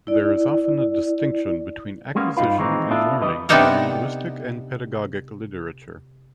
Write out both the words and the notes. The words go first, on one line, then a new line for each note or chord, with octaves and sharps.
There is often a distinction between acquisition and learning in linguistic and pedagogic literature.
E4 D5
G3 G#3 A#3 B3 C#4
G2 D#4 F4 B4
D#3 E3 G#3 C4 C#4 D#4
B3 D4 F4 A4 D5 E5
C#2 E3 G3 B4 D#5
C3 B3 D4 D#4 A4 A#4